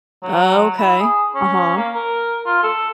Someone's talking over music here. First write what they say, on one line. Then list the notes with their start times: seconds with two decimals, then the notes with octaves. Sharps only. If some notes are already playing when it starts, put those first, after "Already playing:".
Okay, uh-huh.
0.23 F#3
0.78 E4
1.00 G#4
1.35 C#4
1.77 A#3
1.94 A#4
2.46 F4
2.64 A4